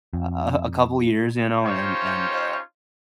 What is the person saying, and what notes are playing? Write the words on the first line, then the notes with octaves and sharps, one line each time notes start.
a a a couple of years, you know, and and, uh,
F2
C#4 D#4 F4 G4 C5 C#5